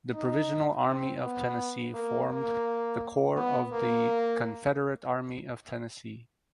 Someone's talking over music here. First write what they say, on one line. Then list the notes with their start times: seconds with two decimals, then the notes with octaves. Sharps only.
The Provisional Army of Tennessee formed the core of the Confederate Army of Tennessee.
0.14 D#4
0.86 C4
1.23 B3
1.94 A#3
2.30 A#3
3.37 B3
3.72 A#3